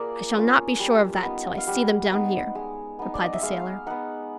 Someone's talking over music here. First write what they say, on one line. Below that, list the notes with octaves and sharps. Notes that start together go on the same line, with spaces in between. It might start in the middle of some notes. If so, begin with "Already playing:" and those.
"I shall not be sure of that till I see them down here," replied the sailor.
Already playing: A#3 F4 G#4 D5
C#4 F4
G3
B3 D#4
F5
G3 F#5
B3 D#4
G#3
B3 D#4
D5
D#5
E5
G#3 F5
B3 D#4 F#5